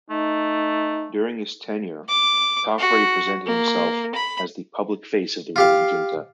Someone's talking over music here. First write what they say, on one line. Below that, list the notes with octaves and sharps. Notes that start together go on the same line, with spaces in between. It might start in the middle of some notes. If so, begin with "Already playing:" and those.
During his tenure Tafari presented himself as the public face of the ruling junta.
A3 D#4
D6
F#4
A#3
B5
F4 G4 F5